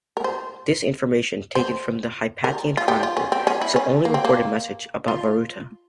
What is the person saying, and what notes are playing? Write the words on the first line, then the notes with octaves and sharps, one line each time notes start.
This information, taken from the Hypatian Chronicle, is the only recorded message about Voruta.
A#4
C5
C5
A#4
F4
G4
F4
C#4
C4
C#4
E4
C#4
A#3
C4
A#3
F4